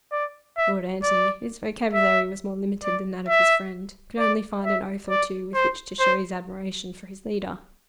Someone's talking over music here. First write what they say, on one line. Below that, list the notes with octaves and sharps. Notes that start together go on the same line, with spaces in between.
Lord Antony, whose vocabulary was more limited than that of his friend, could only find an oath or two with which to show his admiration for his leader.
D5
E5
D5
E5
D5
E5
D5
E5
D5
C5
C5